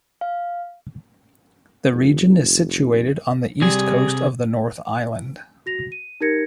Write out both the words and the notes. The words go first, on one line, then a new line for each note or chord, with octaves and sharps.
The region is situated on the east coast of the North Island.
F5
F1
C3 G3 G#4
F#4 A#6 F7
D#7
D#4 G4 A#4 G#6 A#6 C#7